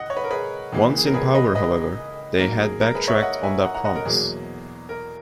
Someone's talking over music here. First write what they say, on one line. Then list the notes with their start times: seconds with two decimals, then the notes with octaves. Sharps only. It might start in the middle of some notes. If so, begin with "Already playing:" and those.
Once in power however, they had back-tracked on that promise.
Already playing: C#2 D#5 F#5
0.10 C#5
0.17 B4
0.24 A#4
0.31 G#4 B4
0.72 C#2 C#3 E3 A#3
0.97 G#4
1.06 A#4
1.14 G#4 B4
1.35 B4 D#5
1.55 B4 D#5
2.39 G#2 F#3 A#3 A#4
2.60 G#4
2.81 A#4
2.94 G#4 B4
3.08 C#5 E5
3.22 D#5 F#5
3.43 E5 G#5
3.64 F#5 A#5
3.74 F#5 A#5
3.85 D#5 F#5
3.95 A#4
4.05 E2 B2 F#3 A#3 G#4
4.89 A#4